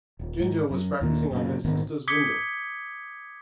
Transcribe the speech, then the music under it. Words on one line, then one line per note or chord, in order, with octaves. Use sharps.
Ginger was practising under his sister's window.
D#1
G#2
F#2
D#2 A#2 D#3 A#3
F#2 A#2 C#3
A#1 G#2 D#3 B3
D6 D#6 G#6 B6 C#7 G7